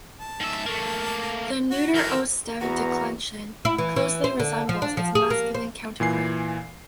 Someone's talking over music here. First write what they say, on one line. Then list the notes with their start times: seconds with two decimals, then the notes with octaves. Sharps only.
The neuter o-stem declension closely resembles its masculine counterpart.
0.20 A5
0.41 G#2 E5
0.66 A3 A#3
1.71 F#4
1.95 E2 F#4 A4 A#4
2.61 E2 B3 F#4 B4 F#5 A#5
3.65 E4
3.78 E3
3.96 E3
4.24 C5
4.40 D3
4.69 F3
4.82 D4
4.97 F3
5.15 G#4
5.30 A#3
5.54 C5
6.00 A#2 E3 G#5 C7